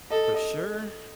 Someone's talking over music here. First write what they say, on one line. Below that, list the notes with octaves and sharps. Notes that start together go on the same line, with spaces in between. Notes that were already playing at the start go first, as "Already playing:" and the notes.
For sure,
A4 D#5
D#5